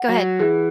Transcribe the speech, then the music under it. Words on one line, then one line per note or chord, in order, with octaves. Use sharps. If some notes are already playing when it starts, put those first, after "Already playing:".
Go ahead.
Already playing: F#5
F#3
E3 G#4